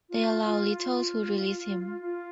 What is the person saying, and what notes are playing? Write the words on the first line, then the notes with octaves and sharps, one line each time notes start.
They allow Lito to release him.
F4
F4
F4
F4